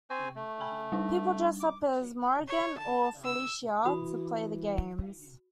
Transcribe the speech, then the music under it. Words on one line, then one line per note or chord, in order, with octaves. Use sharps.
People dress up as Morrigan or Felicia to play the games.
C4 C5 G#5 C#6
A3
G5 G#5 B5
G3 D4 D#4
D6
C#5
A5
E6
E3 F#4 B5 D#6